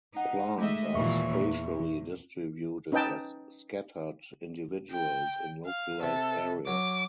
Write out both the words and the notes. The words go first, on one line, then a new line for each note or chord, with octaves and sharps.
Plants are spatially distributed as scattered individuals in localised areas.
D#4 F#5
G#3 A3 D#5 E5
D#2 A#2 E3 E5 C#6
E2
C#4 D#4 B4 D#5 G5 A5
G5
F5
C3 A4
F#3 D6